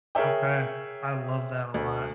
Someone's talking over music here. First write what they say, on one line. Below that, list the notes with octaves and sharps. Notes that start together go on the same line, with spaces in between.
Okay. I love that a lot.
G#4 A#4 C#5 E5 G5
D2